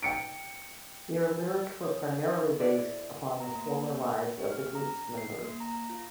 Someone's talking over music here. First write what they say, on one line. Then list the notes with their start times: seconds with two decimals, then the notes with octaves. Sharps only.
Their lyrics were primarily based upon the former lives of the group's members.
0.03 G5 C#7 D7
1.83 C#5 D#6
2.59 E4 G#4 C5 D5
3.40 A#5
3.55 A#3
4.02 G5
4.38 G4
4.51 F6
4.75 A#5
5.18 C7
5.44 A#3
5.60 A#5
5.90 F4